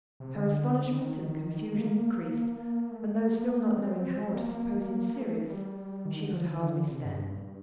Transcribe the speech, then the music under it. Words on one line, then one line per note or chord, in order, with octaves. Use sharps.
Her astonishment and confusion increased; and though still not knowing how to suppose him serious, she could hardly stand.
C3
D3
D#3
D#3
A#3
A3
A#3
C4
A#3
A#3
A#3
A3
G3
D#3
D3
F3
D#3
D3
C3
G2
G2